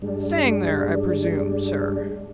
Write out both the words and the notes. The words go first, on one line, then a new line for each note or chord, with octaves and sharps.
'Staying there, I presume, sir?'
G2 G3 G#3 D4